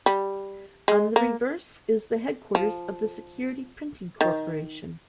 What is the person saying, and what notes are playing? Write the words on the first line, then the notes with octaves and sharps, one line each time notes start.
On the reverse is the headquarters of the Security Printing Corporation.
G3
G#3
A#3
F3
D#3